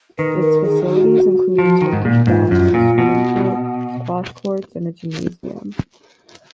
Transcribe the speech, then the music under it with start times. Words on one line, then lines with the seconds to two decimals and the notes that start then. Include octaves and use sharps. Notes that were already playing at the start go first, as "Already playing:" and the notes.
Its facilities included Turkish baths, a swimming pool, squash courts and a gymnasium.
0.18 D#3 B4
0.42 A#4
0.64 G#4
0.88 F#4
1.58 F3
1.81 D#3
1.93 G#2
2.05 A#2
2.27 G#2 F4
2.51 F#2
2.74 A#2
2.98 B2